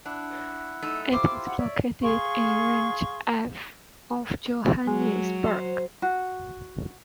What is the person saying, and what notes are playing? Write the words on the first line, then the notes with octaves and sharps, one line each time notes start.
It is located in Region F of Johannesburg.
D4 E4 F#5
F#2 A3 D#4 E6
E4 F4 G4 C5 D6
F#5
C#5 D5 E5
G#4 F5 C6 C#6
F#3 G#3
C5
F#4